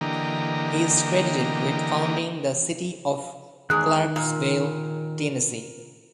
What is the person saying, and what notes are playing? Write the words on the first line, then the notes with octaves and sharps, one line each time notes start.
He is credited with founding the city of Clarksville, Tennessee.
D3 E3 A#3 G4 D#5 A#5
E2 D#3 G#3 F#6
A#2